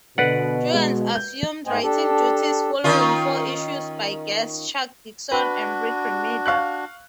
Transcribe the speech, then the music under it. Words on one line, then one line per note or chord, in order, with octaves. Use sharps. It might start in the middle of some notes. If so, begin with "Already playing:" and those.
Jurgens assumed writing duties following four issues by guests Chuck Dixon and Rick Remender.
B2 D3 B4 D5 F#5
G#3
G6
G#2 A3 C5 D#5 G5 G#5
D4 G4 A4
D#3 C#4 F4
D4 F#4 B4
F5 C#6 F#6